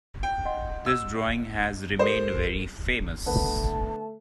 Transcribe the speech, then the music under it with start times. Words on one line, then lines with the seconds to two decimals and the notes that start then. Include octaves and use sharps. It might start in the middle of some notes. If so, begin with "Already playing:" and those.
This drawing has remained very famous.
0.23 G5
0.45 D#5 F#5 C6
0.86 E6
1.99 G4 A4 A#4 C5
3.26 D3 A3 B3 B4 A5